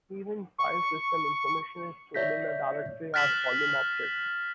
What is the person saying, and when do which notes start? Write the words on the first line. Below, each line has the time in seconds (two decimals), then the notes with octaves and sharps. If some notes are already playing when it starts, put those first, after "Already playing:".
Even file system information is stored in the directory as "volume objects".
0.58 C#6
2.14 C#5 D5 E5 G6 A#6 B6
3.14 F6 F#6 A6 B6 E7 F#7